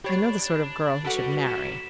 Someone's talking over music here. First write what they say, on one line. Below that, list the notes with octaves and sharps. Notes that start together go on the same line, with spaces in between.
I know the sort of girl he should marry.
D4 G4 C#5 B5 G#6 A6
G3 F#4 A4 B4 D5 F#5 B6 D7
A#3 C#4 B6 E7